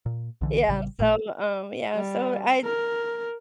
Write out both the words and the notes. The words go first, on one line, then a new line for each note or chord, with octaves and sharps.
Yeah, so, um, yeah, so, I'd
A#2
B1 D3 E3
A1 C#3 G3
A1 G2 A#2 A3
G3
A#4